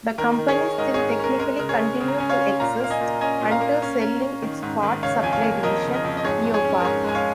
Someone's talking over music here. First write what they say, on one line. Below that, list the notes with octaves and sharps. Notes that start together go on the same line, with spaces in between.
The company still technically continued to exist until selling its parts-supply division, Neopart.
D#3 A#4
D#3
G#4 C#5
D#3
G#2 A#4 D#5
G#2 G#4 C#5
A#4
C#4 A#4
G#3 A#4
C#3 A#4
G#4 C#5
C#4
C#3
A#5
C#4 G#5
C#5 F5
C#4
A#2 F5 A#5
A#3 F5
D#5 G#5
A#2
C#4 D#5 G#5
A#2
F5 A#5
A#3
C#4
C#4
C#4
D#3
G#2
D#3
C#3 C#5 F5
F2 G#5
C#5 F5
A#3
F2 A#4 D#5
C#3
A#4 D#5
F2
D#5
G#2 G#4 C#5
G#2
G#4 C#5
C#4
A#4
G#2 G#4 C#5
G#3 G#5
C#5 F5